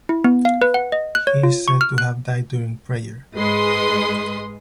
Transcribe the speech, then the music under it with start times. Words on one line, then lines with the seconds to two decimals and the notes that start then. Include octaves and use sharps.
He is said to have died during prayer.
0.09 E4
0.24 B3
0.45 F5
0.62 B4
0.74 F#5
0.92 D#5
1.15 F#6
1.27 C#5
1.43 F4
1.68 C#6
1.81 F6
1.98 F#6
3.34 G#2 G#3 B4 C6 D#6